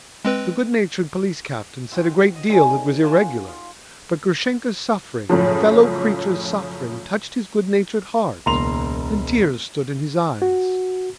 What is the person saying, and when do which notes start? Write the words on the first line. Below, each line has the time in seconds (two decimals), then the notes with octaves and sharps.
The good-natured police captain said a great deal that was irregular, but Grushenka's suffering, a fellow creature's suffering, touched his good-natured heart, and tears stood in his eyes.
0.25 G#3 C4 B4
1.91 C4 E4 F#4 G5
2.36 D#5
2.49 G3 A3 C4 C#4 D#4 G#4
3.03 F4 F#4 D5 G#5 A5
3.48 F4
5.29 F#2 A2 C#3 F3
8.46 E1 C#2 A#3 A#5 C6 F7
10.42 F#4